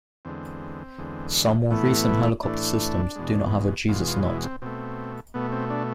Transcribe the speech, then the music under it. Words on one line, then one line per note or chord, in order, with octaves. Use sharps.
Some more recent helicopter systems do not have a Jesus nut.
E2 D3 G#3 C4
E2 D3 G#3
A2 E3 A3 B3
A2 E3 A3 D4
E2 B2 G#3
E2 B2 G#3 F4
F4
E4
C4
B2 A3 C4
B2 A3 B3
C4
D4